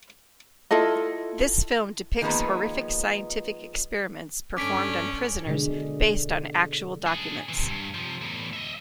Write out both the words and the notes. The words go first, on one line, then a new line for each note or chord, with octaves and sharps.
This film depicts horrific scientific experiments performed on prisoners based on actual documents.
E4 F4 A4 D#5
D#3 F3 G#3 A#3 B3 B4
G2 D3 C#4 D4 D6 B6 D7
B2 D3 G#3
D4 G#4
C3 E3
G2
C3 F3
E2 A2
D#5 E5